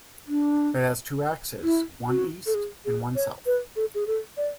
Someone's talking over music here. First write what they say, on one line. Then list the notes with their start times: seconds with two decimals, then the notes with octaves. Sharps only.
It has two axes, one east and one south.
0.27 D4
1.63 E4
2.09 F#4
2.46 A4
2.54 G#4
2.85 G#4
3.15 C#5
3.46 B4
3.76 A4
3.95 G#4
4.07 A4
4.37 D5